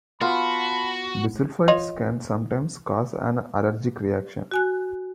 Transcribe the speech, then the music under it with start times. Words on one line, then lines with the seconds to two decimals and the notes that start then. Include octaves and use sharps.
Bisulfites can sometimes cause an allergic reaction.
0.21 B3 F4 F#4 A5 B5
1.68 F4 C#5 D#5
4.51 F#4 G#5 F#6